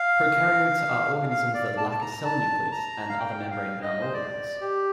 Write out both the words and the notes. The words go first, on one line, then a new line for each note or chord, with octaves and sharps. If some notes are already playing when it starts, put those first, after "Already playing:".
Prokaryotes are organisms that lack a cell nucleus and other membrane-bound organelles.
Already playing: F5
F5
D5
A5
A5
A#5
A5
A#5
F5
G5
F5
D#5
C5
D5
G4